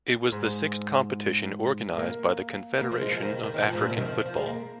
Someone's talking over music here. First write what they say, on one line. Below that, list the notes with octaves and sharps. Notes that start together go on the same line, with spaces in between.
It was the sixth competition organised by the Confederation of African Football.
G#2
A#3
A#3
F3
G#3
F3
D#3
D#3
D#3
D#3
F3
G#2
A#2
C3
D#3
F3
F3
G#3
A#3